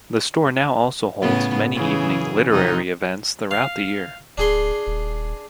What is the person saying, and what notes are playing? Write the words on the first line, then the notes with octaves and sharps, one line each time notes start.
The store now also holds many evening literary events throughout the year.
A2 C#3 B3
C#3 E3 G#4
F2 C3 D#4
F5
D1 D4 G#4 C6
D#1